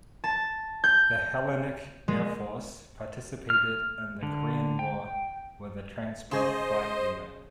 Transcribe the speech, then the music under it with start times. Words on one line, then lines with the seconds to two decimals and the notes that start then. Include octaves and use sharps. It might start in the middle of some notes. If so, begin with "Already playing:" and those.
The Hellenic Air Force participated in the Korean War with a transport flight unit.
0.24 A5
0.84 G6
2.08 G#3
3.50 F6
4.23 D3
4.79 G5
6.31 C#3 G#4 C5 D#5